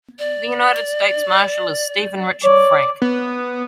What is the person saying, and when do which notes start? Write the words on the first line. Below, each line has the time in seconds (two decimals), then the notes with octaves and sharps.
The United States Marshal is Steven Richard Frank.
0.19 D5
2.43 C#5 D5
3.02 B3